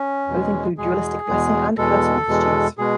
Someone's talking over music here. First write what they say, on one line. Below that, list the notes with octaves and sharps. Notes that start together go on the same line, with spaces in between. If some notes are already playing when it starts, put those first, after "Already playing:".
Both include dualistic blessing and cursing liturgies.
Already playing: C#4
E2 B2 G#3
E2 B2 G#3 G#4
E2 B2 G#3
E2 B2 G#3 A4
E2 B2 G#3
B2 G#3 G#4